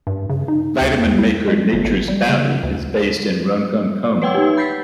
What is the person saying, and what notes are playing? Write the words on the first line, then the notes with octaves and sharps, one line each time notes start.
Vitamin maker Nature's Bounty is based in Ronkonkoma.
G2
C#3
D#4
D2
E2
E4
G#3
G1
G#1
G3
C#3
D2
B4 C#5 F#5 G5 C6 E6
D#4 G4
B5 G6 A6 B6 C7